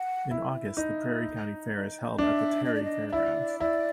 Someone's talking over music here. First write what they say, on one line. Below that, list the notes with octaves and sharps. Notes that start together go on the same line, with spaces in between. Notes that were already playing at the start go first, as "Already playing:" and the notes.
In August, the Prairie County Fair is held at the Terry Fairgrounds.
Already playing: F#5
E4
D#4
D4 E5
D#5
D5
D#5
D#5
E4 D5
E4 D5